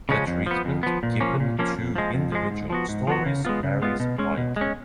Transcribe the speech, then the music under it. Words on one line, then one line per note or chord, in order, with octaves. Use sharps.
The treatment given to individual stories varies widely.
C#3 F3 G#3 C#4
F2
F3 B3
F2
F3 B3
A#2
F3 A#3 C#4
A#2
F3 A#3 C#4
F2
F3 G#3
F2
F3 G#3
G#2
F3 B3 F#4
G#2
F3 B3 F#4
C#3
G#3 B3 F4
C#3
G#3 B3 F4
B2
G#3 C#4
B2
G#3 C#4